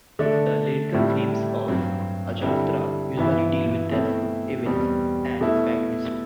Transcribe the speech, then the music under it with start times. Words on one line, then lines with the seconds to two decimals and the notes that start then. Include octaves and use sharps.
The lyrical themes of "Ajattara" usually deal with death, evil and paganism.
0.19 D3 A3 D4
0.94 A2 G3 C4 E4
1.68 G2 F#3 C4
2.42 D3 G3 C4 E4
3.17 G2 E3 B3 E4
3.92 B2 A3 C4 E4
4.66 E2 B2 G3 C4
5.41 B2 A3 E4